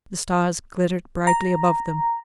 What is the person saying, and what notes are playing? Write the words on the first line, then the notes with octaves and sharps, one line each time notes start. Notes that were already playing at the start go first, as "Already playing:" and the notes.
The stars glittered brightly above them.
A#5